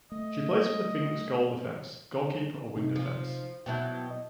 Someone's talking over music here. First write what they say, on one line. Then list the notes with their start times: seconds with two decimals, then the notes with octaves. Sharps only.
She plays for the Phoenix goal defence, goal keeper or wing defence.
0.12 A3 D#5
2.76 C3 D#4
2.96 F3
3.66 B2 F#3 E4 G5 A5 G6
4.10 D#5